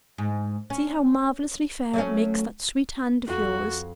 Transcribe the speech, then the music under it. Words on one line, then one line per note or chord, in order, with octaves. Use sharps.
See how marvelously fair it makes that sweet hand of yours.
G#2
C#4
F#3 A3 C#4
F2 F#4